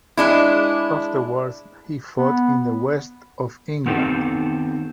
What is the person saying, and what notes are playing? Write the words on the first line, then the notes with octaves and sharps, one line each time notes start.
Afterwards he fought in the west of England.
G#3 D4 E4
B3
D#3 B3 C4 D#4 G4 A4